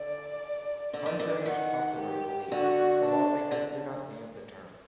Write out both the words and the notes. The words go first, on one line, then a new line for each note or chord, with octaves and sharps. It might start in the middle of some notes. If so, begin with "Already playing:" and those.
Contrary to popular belief, the lawmakers did not ban the term.
Already playing: D3 D5
D3 D5
D#3
D3
D#3 F#5
G4
D3 F#4
D4
D3